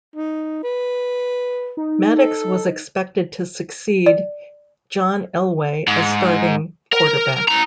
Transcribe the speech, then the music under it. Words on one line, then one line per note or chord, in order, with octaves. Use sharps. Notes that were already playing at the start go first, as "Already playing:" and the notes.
Maddox was expected to succeed John Elway as starting quarterback.
D#4
B4
D#4
A4
D5
G#2
A#4
E4 A#5